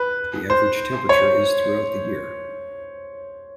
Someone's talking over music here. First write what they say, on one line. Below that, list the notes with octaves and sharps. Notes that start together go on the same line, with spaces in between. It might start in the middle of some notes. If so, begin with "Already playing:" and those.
The average temperature is throughout the year.
Already playing: B4
C5
C#5